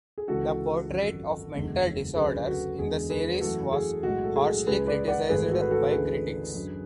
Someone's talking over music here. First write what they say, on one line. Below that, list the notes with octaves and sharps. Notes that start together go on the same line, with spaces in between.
The portrait of mental disorders in the series was harshly criticised by critics.
G#4
C#2 C#3 E3 G#3 F#4 A4
G#1 F#2 C#3
F#1 E2 D3 G#3
D2 C#3 F#3 G#4 B4
F#4 A4
E2 D3 G#3 G#4
G#4 B4
F#2 E3 A3 F#4 A4
G#4
B1 A2 G#3 F#4
A4
G#4
C#2 C#3 G#3 G#4 B4
B4 D5
D5 F#5
G#1 G#2 E3 A3 G#4 B4
F#4 A4
B4
F#4 A4
D2 C#3 E3 A3 G#4 B4
F#2 D3 F#3